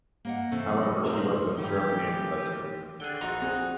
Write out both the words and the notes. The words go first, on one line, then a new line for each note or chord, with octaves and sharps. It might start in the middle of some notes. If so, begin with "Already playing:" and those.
However, he was of German ancestry.
A#3 D#5 F#5
C3 E3 A3
F3
D#3 E3 A3 G4
D3 G#4 G5
A#1 D#4 F#4 A#5
C4 G#4